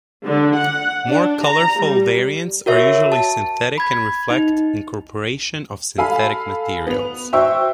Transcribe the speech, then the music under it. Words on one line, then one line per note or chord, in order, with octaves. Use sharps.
More colorful variants are usually synthetic and reflect incorporation of synthetic materials.
D3
F#5
D4
A#5
G3
F#4 A#4 C#5 E5
A5
B5 G#6
D#4
A4 F5 G#5 B5
B3 F7
F#4 C5 E5 G5 C#6 E6